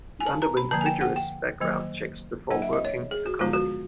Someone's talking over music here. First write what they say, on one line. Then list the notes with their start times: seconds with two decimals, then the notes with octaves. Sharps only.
He underwent rigorous background checks before working at the company.
0.20 G#5
0.26 A5
0.42 A#5
0.57 B5
0.71 D3 F3 A#3 A5
0.81 G#5
0.86 G5
1.01 F#5
1.16 G5
1.60 D#3 F#3 A#3
2.50 F#3 A#3 D4 F#5
2.62 E5
2.73 D#5
2.85 C#5
3.11 G#4
3.26 F#4
3.39 D3 F3 G#3 B3 F4
3.53 F#4